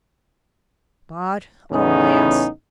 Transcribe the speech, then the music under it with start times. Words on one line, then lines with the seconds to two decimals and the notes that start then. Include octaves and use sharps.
But alas!
1.72 E2 A2 C#3 B3 C#4 D#4